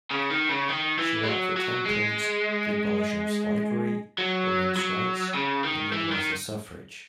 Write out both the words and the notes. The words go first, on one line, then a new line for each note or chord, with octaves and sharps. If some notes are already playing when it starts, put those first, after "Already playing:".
She worked for temperance, the abolition of slavery, women's rights and universal suffrage.
C#3
D#3
C#3
D#3
E3
G#3
F#3
F#3
G#3
F#3
F#3
C#3
D#3
E3
D#3